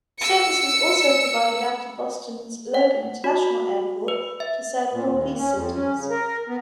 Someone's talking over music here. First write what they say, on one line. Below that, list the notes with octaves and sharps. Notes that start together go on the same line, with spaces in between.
Service was also provided out of Boston's Logan International Airport to several Northeast cities.
E6 C#7
F#5
F#4
B4
E5
A#2
D#2
C#4
F2
C#4
C#3
A#4
B3